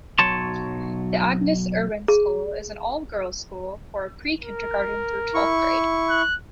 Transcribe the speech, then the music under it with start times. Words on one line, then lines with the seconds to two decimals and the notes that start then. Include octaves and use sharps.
The Agnes Irwin School is an all-girls school for prekindergarten through twelfth grade.
0.19 B1 F#3 C#5 A5 C6
2.08 G#4
4.41 A#4
5.34 E4 C#6
6.10 F#6